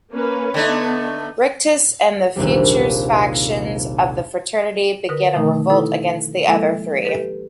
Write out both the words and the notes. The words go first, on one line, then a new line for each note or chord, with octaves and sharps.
Rictus and Future's factions of the Fraternity begin a revolt against the other three.
A#3 C#4 B4
D3 A3 B3 D#4
A#1 D#2 C3 G3
D3 A#4 B4 D#6
B2 D#3 F3 A3 D#4 A#4
D#4 E4 A4 B4
F3 G#3 A#3 E4 A4
G4 A4 B4